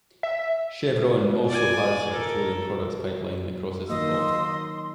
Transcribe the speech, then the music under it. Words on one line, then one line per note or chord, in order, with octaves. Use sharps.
Chevron also has a petroleum products pipeline that crosses the fault.
E5
D5 G#5
A4 A#4
D#3 F#3 A#3 D#5 C6 E6